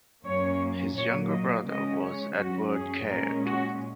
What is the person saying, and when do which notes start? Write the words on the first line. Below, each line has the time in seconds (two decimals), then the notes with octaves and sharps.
His younger brother was Edward Caird.
0.25 F#2 F#3 A#3 C#4 C#5
0.96 A#2 F#3 A#3 C#5
1.32 D#5
1.68 C#3 G#3 C#4 D#5
2.03 C#5
2.39 F#2 F#3 C#4 F#4
2.74 G#4
3.10 A#2 G#3 C#4 A#4
3.46 F#4